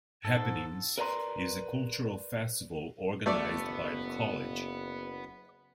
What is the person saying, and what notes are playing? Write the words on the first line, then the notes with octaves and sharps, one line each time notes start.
Happenings is the cultural festival organized by the college.
G#2 A4
A#4 B4 D5 F#5 A#5 C6
F#1 A3 B3 A4 D5